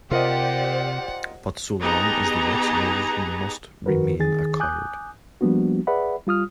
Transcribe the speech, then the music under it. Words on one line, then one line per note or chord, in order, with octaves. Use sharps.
But so long as the Witch lives you must remain a coward.
C3 F4 G4 A#4 C5 D5 D#5 F#5
B3 D#4 G4 G#4 A5 A#5
G2 D#3 F#4 A#4 B4
D#3 G#4 A6
G#5 D6 D#6 F#6 G6
F3 G3 A#3 B3 D4 F#4
G#4 B4 D5 E5 F#5 B5
G3 F4 D#6 F6